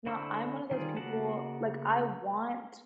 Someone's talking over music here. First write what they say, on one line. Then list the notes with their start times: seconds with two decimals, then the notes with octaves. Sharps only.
no, I'm one of those people like, I want
0.06 D3 E4 C5 C#6 E6
0.71 D#3 G3 F4 G#4
0.97 C#3 A#3 F#4 F#5 A5